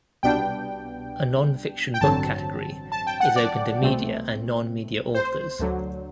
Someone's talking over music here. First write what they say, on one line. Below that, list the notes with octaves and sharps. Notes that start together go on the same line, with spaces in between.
A non-fiction book category is open to media and non-media authors.
C2 B2 G3 B3 D4 G5
G5
A1 G2 D3 F#3 C4 A5
A5
G5
F#5
D5
C2 B2 A3 C4
C5
D2 D3 F#3